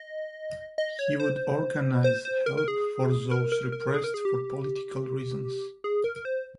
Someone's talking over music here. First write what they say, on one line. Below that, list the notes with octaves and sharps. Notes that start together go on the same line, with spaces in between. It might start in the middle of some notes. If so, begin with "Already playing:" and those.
He would organize help for those repressed for political reasons.
Already playing: D#5
D#5
C#5
C5
C5
C5
A#4
A#4
G#4
A#4
A#4
A#4
G#4
A#4
G#4
G4
G#4
A#4
A#4
C5